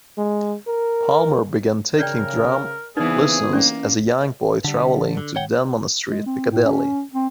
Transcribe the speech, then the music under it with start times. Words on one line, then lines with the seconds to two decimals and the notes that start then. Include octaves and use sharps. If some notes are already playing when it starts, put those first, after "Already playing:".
Palmer began taking drum lessons as a young boy, travelling to Denman Street, Piccadilly.
0.18 G#3
0.67 A#4
1.98 C#3 A#4 C#5 D5 G5
2.97 C#3 E3 B3 C4 D#4 G#4 B4 D5
3.53 A#3 C#4 D5
4.65 D3 G3
5.17 D3
5.36 C#5 F#5 G5
6.09 G#3
6.26 C4
6.51 A2
6.65 C#4
7.13 C4